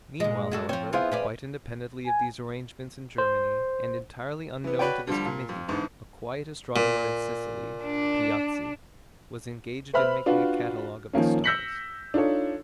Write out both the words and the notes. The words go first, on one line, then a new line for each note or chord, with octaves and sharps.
Meanwhile, however, quite independently of these arrangements in Germany, and entirely unknown to this committee, a quiet astronomer in Sicily, Piazzi, was engaged in making a catalogue of the stars.
A#2 G#3 D#5
G#3 F#4 A4
F3 C4 C#5
B3 E4 F4 G#4 C5 F5
C#4 B4 D5
G#5
C5
E3 B3
F#4 B4 C#5 D5 G5
D3 F3 G3
A#2
F2
E2 G#2 D3
A#2
D4
B4 C5 E5 B5 F6
D4 F4 F#4 B4
D#3 F3 A#3 C#4
E6 G6 A#6 B6 C#7 F#7
D4 D#4 F4 A4 C#5